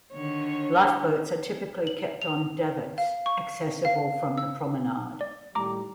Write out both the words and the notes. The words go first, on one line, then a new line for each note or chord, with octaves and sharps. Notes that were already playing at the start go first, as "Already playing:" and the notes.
Lifeboats are typically kept on davits accessible from the promenade.
D3 D#3 C#5
F#7
F7
F5
C#6
F5
E6
D5
A2 D#3 G3 A#5 D6